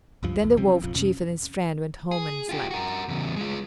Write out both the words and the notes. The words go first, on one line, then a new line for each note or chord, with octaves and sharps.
Then the Wolf chief and his friend went home and slept.
C#2 G2 F3
B1 E2
C3 F3 C4 C#4
A#1 F2 F3
E2 B2 C#4
G#4
F4 G4
F#4 A#4
E2 C#3
G#3 F4